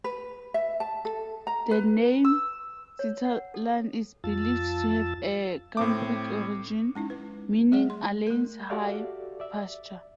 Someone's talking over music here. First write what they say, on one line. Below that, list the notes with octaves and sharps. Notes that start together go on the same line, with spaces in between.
The name Seatallan is believed to have a Cumbric origin, meaning "Aleyn's high pasture".
B4
E5
A5
A4
A#5
B4
E6
C#5
F#5
A4
F2 F4 A5 E6 A6
A2 C4 D6
G#3 C#4 D#4 E4
B4
G3 A3 G#4 D5 F#5
C6
A3 A#4
F#4 G4 A4 D5 E5 F5
D5 E5